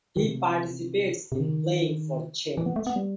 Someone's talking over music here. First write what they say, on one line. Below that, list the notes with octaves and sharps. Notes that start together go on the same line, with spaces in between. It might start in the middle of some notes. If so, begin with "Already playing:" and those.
He participates in Playing for Change.
D#3
C3
C3
D#3
E3
B3
A3
B3
G3